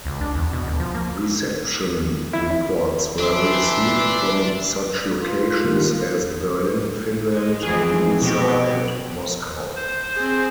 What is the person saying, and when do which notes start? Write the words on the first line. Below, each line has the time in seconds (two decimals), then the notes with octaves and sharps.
Reception reports were received from such locations as Berlin, Finland, Ibiza, and Moscow.
0.06 C#2
0.21 D4
0.35 E2
0.53 B2
0.67 D2
0.80 F3
0.95 A#3
2.33 E4
3.19 E3 D4 E5 C6
5.21 F4
5.65 D#3 G3 A#3
7.32 G#3
7.63 F2 E3 C4 G#4
8.22 B2 F#4 G4
9.76 C5
10.16 C4 G#4